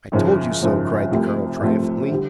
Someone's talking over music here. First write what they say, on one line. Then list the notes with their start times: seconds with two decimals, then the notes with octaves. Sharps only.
"I told you so," cried the colonel, triumphantly.
0.12 G#1 F#2 C#3 F3
0.62 G#1 F#2 C#3 F3
1.11 C2 C3 F3 A3 C4
1.61 C2 C3 F3 A3 C4
2.12 D3 G3